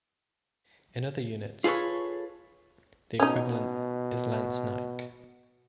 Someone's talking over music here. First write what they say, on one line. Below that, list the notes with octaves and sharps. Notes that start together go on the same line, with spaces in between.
In other units the equivalent is lance naik.
F4 G#4 A4 B4 C#5
B2 C#4 D#4